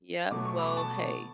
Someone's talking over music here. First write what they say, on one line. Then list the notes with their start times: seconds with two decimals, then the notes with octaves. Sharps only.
Yup, well hey,
0.31 B2 F#3 A3 D6
0.45 C#6
0.58 B5 D6
0.77 A5 C#6